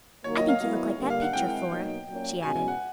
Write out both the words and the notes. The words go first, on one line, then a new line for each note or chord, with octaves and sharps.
"I think you look like that picture, Flora," she added.
D#3 F#3 A#3 C#5
D#5
F5
D#3 F#3 B3 E4 F5
G2 D3 G3 A#3
F5
F#5
D#3 G#3 C4 E4 G5
B2 F#3 A#3 D#4
A#2 F#3 A#3 C#4
E2 B2 G#3 C#4 F#4 G#5
G#5
F#5